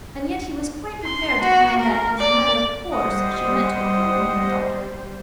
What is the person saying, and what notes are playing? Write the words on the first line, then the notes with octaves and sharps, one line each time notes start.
And yet he was quite prepared to find that, as a matter of course, she meant to accompany her daughter.
C6
F#4
A#4
D5
G3 C5 D#5 F#5 D#6